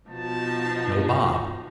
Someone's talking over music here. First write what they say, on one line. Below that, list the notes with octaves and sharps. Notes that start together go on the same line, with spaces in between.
No Bob.
B2 F3 D#4 F#4 A5